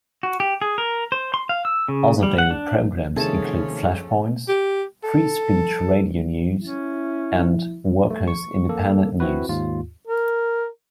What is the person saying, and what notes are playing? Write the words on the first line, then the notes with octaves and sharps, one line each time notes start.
Other daily programs include Flashpoints, Free Speech Radio News, and Workers Independent News.
F#4
G4
G#4
A#4
C5
C6
F5
E6
C#3
G3
F#5
D4
C3 D#3 F3 A3 C#4 G#4 A4 A5
G4
A4
C#4 E4
A3
C#6
A#3 A4
C4 E4 F#4 B4
D#2 G#2 F4
A#4